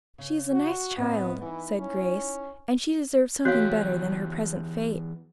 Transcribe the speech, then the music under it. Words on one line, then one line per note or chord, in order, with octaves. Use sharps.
"She is a nice child," said Grace, "and she deserves something better than her present fate."
C#3
F#4
A2 B3 C4 D#5
E3 D#4 E4
C#4
E2 F#4 G4 C#5 F5 F#6 G6